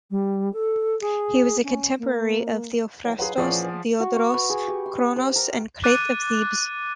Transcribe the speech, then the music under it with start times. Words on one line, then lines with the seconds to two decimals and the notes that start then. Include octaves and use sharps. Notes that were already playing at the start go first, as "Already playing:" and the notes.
He was a contemporary of Theophrastus, Diodorus Cronus, and Crates of Thebes.
0.11 G3
0.53 A4
1.01 G#4
1.64 C#4
1.99 A#3
3.04 E3 F#3
3.18 F#3 F4 G#4 B4
3.38 A#2 E3 F3 C#4 G#4 D5 F#5
4.00 F#4
4.16 C#6
4.34 B4
4.50 G#4
4.68 G4
4.86 C6
5.16 C5
5.36 A#4
5.84 D6 F#6 A6 D#7